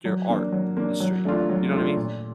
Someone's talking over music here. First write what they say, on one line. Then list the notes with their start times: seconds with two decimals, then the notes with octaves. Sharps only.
your art history, you know what I mean?
0.05 F#3
0.29 A#3 D4
0.52 F#3
0.77 A#3 D4
1.00 F#3
1.25 A3 D4 F4
1.49 F#3
1.72 A3 D4 F4
1.96 A#2